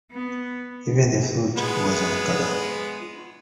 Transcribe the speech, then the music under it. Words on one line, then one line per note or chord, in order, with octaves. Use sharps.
Even the flute was off-color.
B3
G#3 B3